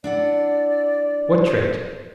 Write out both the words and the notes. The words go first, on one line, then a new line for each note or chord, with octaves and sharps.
What trait?
D4 E4 D5 F#5